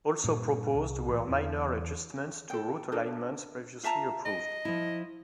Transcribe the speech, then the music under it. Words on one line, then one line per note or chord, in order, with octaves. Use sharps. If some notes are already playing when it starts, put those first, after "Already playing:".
Also proposed were minor adjustments to route alignments previously approved.
G2 A#2
C2
A1
E2 E3
A4 G5
D4 A4 A#4
F4 E5 A5 A#5
D#5 G5
F3 E4